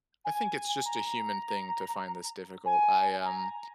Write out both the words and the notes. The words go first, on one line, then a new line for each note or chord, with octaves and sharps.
I think it's just a human thing to find this difficult, I, um,
G#5
A#5
G#5
A#5